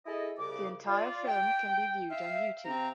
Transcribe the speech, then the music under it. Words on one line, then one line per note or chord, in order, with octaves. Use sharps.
The entire film can be viewed on YouTube.
E4 G#4 A4 D#5
C2 C#3 D6
F4 D5
G5
E5 F5
C3 C4 A#5